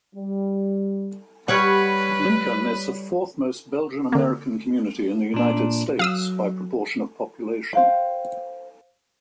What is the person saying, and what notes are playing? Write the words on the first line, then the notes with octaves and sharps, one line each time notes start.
Lincoln is the fourth-most Belgian-American community in the United States, by proportion of population.
G3
G3 B4 C#5 F#5
D3 A#3
A#2 D4
F#3 F5 D#6 E6
C5 F5 G5